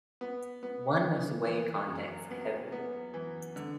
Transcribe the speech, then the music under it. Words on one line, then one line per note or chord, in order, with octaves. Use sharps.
One must weigh context heavily.
B3
B3
B3
E3
F#2
B3
B3
E3
D3